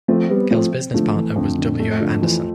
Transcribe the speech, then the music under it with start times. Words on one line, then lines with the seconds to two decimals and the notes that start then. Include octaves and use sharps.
Kell's business partner was W. O. Anderson.
0.08 F3 A3 C4
0.30 G3 B3
0.51 F3 A3 C4
0.94 D3 F3 A3
1.15 E3
1.36 F2 D3
1.58 D3
1.80 A3
2.00 D3 F3
2.22 E3 F3